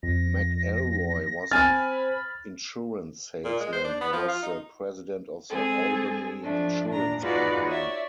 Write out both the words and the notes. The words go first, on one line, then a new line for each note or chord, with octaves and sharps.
McElroy was an insurance salesman who was the president of the Albany Insurance Company.
F2 A#6
C4 G#5 B5 F6 A6
A#2
G#3
C5
D4
B3
F3
F4
D#4
G#3 C4 G#4 A4
F3 A3 D4
A#2 D4 A#5
D#4 F4 F#4 G#4 B4 D5
C#5 D5 E5